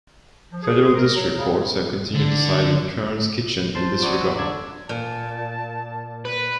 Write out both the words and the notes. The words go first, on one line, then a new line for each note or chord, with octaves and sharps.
Federal district courts have continued to side with Kern's Kitchen in this regard.
F3
G#4
A#4
F#3
C#3
D3
F4 C5 A5 C6
F#3 D5 G#5
E5 B5
D3 D4 G#6
A#2 A5
B4